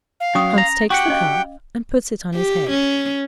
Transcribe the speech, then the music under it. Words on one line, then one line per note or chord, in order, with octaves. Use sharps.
Hans takes the calf, and puts it on his head.
F5
F#3 C#4 C#6 D#6
A#5
F#4 G4 F#5 G5 D6
C#4 D#5 F5
G4
C#4